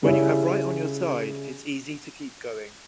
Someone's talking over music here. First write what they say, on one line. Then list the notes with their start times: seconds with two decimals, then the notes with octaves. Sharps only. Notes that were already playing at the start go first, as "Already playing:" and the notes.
When you have right on your side, it's easy to keep going.
0.03 C#3 G3 C#4 E4